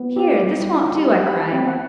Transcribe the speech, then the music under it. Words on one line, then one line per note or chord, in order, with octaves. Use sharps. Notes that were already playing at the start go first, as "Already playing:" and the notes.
'Here, this won't do,' I cried.
Already playing: B3
G4
G3
D4
G4
G4 B5
A5
C4 G5
F#5